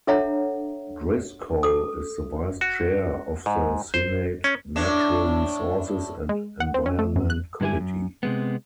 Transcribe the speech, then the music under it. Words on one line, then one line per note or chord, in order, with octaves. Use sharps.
Driscoll is the vice chair of the Senate Natural Resources and Environment Committee.
D4 A4 C#5 E5 F#5 A#5
A4 D#6
F#4
G#2
C5
C#4
A2 D4
G#3
F#5
C4
C#4
A3
F#2
F#6
G2 D3 E4 G4 G#5
F#2
C3 G#3 B3